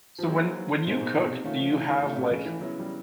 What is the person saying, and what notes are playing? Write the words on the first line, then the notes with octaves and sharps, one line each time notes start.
So when when you cook, do you have, like,
F3
F#3 A#3 D#4 G#4 C5
C3 A#3 D#4 G#4 C5
B2
A#2
B2
C3
D#3 A3 C#4 F4
F3
E3
D#3
D3 A3 C#4 F4
C3
C#3
E3
C#3 F#3 B3 E4
G3